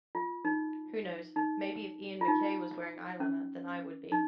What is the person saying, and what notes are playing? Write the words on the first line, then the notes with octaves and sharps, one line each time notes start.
Who knows, maybe if Ian MacKaye was wearing eyeliner then I would be.
F4
D#4
D#4
F4
D#4
C#4
D#4